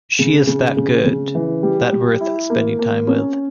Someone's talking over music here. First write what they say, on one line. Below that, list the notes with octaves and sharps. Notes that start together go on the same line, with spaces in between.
She is that good, that worth spending time with.
C#3
C#3
C#3
C#3
E3
G3
G3
E4
A#3
A#3
C#4